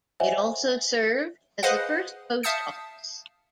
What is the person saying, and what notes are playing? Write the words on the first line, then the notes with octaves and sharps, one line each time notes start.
It also served as the first post office.
C5 C#5 D#5 E5 F#5 G#5
G#4 B4 C5 D#5 F5 F#5
E5 F5 A5 D#6 G6 C#7